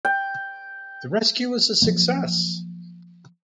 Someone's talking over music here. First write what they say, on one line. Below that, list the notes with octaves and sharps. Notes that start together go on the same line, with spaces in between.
The rescue was a success.
G5
F3 F#3 A#3